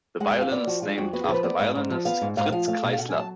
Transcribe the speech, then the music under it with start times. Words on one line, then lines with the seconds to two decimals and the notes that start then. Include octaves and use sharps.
The violin is named after violinist Fritz Kreisler.
0.20 G#3 F#5
0.31 F#5
0.36 F2
0.41 F5
0.51 B3 D5
0.67 F3 F#4
0.82 G#3 F4
0.98 F2 F#4
1.13 B3 F#4
1.24 G#4
1.29 F3
1.34 B4
1.44 B3 D5
1.59 G#2 F5
1.75 G#2
1.90 F3
2.05 B3 F5
2.21 G#2
2.37 G#2 F5
2.46 F#5
2.52 F3 F5
2.68 A3 F5
2.83 B2
2.93 F5
2.98 B2 F#5
3.09 G#5
3.14 F#3
3.19 A5